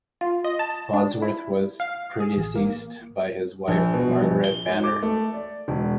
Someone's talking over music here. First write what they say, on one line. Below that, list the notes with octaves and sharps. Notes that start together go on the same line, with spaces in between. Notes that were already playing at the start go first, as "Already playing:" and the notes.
Bodsworth was predeceased by his wife Margaret Banner.
F4
D#5
A5
D4
E4
F5
G#4
A1
A#3
A#1
B2
A#1
G7
G#2
D6
A3
D5
E1